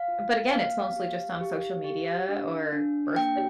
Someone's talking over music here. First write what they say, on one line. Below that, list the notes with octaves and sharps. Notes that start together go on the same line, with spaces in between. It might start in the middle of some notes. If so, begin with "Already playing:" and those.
But again, it's mostly just on social media or birthday
Already playing: F5
F4
A#3 F5
G4
G4
G4
D4
D4
A#3 G5